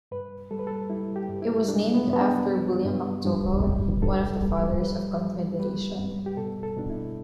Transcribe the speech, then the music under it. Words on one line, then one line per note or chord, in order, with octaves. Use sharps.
It was named after William McDougall, one of the Fathers of Confederation.
G2 B4
G3 A4
B4
A4
G3 E4
G4
G2
E4
G3 D4
B3
G2
B3
D4
G3
G2
G2
G3
G2 A4
G3
G3 B4
G3
G3 B4
G2
G4
B2 A4
A4
B2 D4
E4